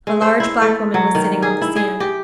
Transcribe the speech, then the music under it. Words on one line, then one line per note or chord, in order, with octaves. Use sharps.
A large black woman was sitting on the sand.
G#3
C5
E4
A3
F#3
D#3
G#4
E4
G#4
G4